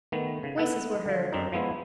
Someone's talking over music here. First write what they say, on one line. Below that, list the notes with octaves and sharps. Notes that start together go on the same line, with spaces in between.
Voices were heard.
D#3 A3 B3
C#3
B3 A4 F#5
D3 F3
F#2 C4 D4 D#4
F3 G#3 B3 E4